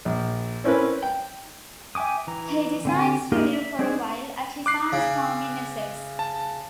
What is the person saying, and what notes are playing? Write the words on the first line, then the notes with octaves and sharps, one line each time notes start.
He decides to live for a while at his aunt's farm in Essex.
A#1
C4 C#4 E4 A#4 B4
G5
E5 G5 G#5 D6 D#6
E3 A#5
D3 C4 G#5
A#3 D#4 G4 G#4 A#4
E5
C4 D4 D#4 G#4 C#5
D6 F#6 C7
C#3
A5